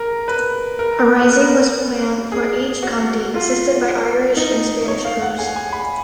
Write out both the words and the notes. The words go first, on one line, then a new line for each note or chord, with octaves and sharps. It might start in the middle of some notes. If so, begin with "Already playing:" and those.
A rising was planned for each county, assisted by Irish and Spanish troops.
Already playing: A#4
B4
A#4
B4
A#4
G#4
F#4
F4
D#4
C#5
F5
F#5
G#5
G#5
B5